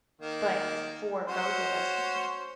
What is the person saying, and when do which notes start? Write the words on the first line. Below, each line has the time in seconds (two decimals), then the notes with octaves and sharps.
but for both of us, m
0.21 D#3 A#3
1.28 C#4 F#4 C5